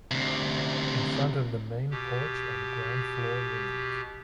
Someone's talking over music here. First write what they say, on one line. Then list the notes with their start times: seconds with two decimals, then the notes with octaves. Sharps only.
In front of the main porch and ground floor rooms.
0.11 D2 C3
1.91 B2 G4